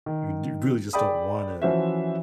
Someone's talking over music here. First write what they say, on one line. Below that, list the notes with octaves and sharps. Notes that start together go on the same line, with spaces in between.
you d you really just don't wanna
D#3
G#4 D5 G5 B5 D#6
E3 F3 C#4 F#4 C5 E5